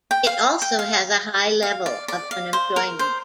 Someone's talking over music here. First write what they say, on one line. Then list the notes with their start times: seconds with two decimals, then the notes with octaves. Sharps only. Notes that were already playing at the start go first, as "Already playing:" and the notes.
It also has a high level of unemployment.
0.11 G5
0.27 F5
0.62 G5
0.79 F5
1.63 F5
1.86 D5
2.08 D5
2.31 F5
2.53 C5
2.76 A#4
2.99 C5